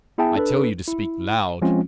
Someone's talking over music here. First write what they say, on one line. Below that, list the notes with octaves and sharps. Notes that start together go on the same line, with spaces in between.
"I tell you to speak loud."
B3 E4 G#4 E5 G5 A5
D4 A4 B4
E4
F3 G#3 C4 C#4 F4